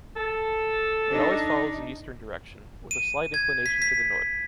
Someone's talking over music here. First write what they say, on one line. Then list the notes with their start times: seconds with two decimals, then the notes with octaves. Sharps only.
It always follows an eastern direction, with a slight inclination to the north.
0.16 A4
1.10 D4 D#4
2.91 D#7
3.34 G#6
3.66 B6
3.82 B6